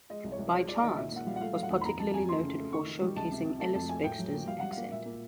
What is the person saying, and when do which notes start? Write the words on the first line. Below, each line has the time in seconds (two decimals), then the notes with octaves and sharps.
"By Chance" was particularly noted for showcasing Ellis-Bextor's accent.
0.10 G#3 D#5
0.24 C2
0.32 C#5
0.39 C2
0.53 G#3 C#5
0.68 G#3 D5
0.82 D#3 D#5
0.97 A#2 E5
1.12 A#2 F#5
1.27 G3 F5
1.36 F#5
1.41 A3 F5
1.54 F#3 F5
1.63 F#5
1.71 D#2
1.81 B5
1.85 F2 A#5
1.99 F2 A5
2.14 F2 G#5
2.29 A3 C6
2.43 C#3
2.58 A3
2.73 D#3 C#6
2.87 D#3
3.02 G3
3.16 C#2 A5
3.31 C3
3.46 C3
3.60 A3 A5
3.75 F2 A5
3.89 A3 G#5
4.04 A2 G5
4.19 F#3
4.33 A#3
4.47 G3 F5
4.60 G3 F#5
4.72 F5
4.77 A#3
4.91 A#2 E5
5.06 A#3